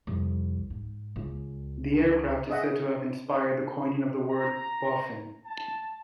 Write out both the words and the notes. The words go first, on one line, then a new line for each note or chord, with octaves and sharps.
The aircraft is said to have inspired the coining of the word "Boffin".
C2 F2
G#2
C#2
G#4 D#5 E5 F#5
A#5
A5